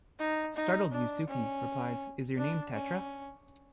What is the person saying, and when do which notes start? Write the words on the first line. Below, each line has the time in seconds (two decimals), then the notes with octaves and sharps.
Startled Yusuke replies Your name is Tetra?
0.19 D#4
0.56 D#4
0.92 D4
1.28 C#4
2.37 D4
2.73 C#4